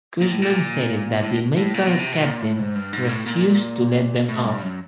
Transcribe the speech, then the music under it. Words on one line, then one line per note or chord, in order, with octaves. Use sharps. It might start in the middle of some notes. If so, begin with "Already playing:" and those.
Cushman stated that the "Mayflower" captain refused to let them off.
A#2
A2
A#2
A2
A2
A#2
B2
C3
B2
A#2
A2
G#2
G2
G#2
A2
A#2
A2
G2
F#2